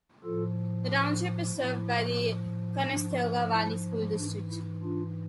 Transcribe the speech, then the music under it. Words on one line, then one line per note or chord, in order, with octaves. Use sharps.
The township is served by the Conestoga Valley School District.
A2 F3 F4 A4
A2 F3 E4
G#2 F3 D4
E4
G#2 E3 D4
E4
D4 F4